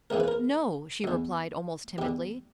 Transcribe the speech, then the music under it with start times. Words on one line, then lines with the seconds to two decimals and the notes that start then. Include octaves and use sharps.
"No," she replied, almost timidly.
0.10 C#2 C#3 E3 A#4
0.20 B4
0.28 A#4
1.04 E2 D3
1.98 E2 D3 G4